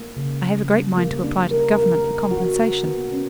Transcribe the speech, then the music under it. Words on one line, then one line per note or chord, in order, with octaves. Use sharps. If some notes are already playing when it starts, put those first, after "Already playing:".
I have a great mind to apply to the Government for compensation.
Already playing: A#3
C#3
A#3
G3
A#3
D4
A#4
A#4
A#4
F#4
A#4
B3
C#4